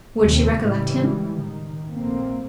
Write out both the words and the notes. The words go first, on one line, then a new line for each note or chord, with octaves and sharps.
Would she recollect him?
F1 A#1 D#2 C3 A3 C4
A2 C#3 E3 G3 G#3
D#3
A#1 A3 A#3 C4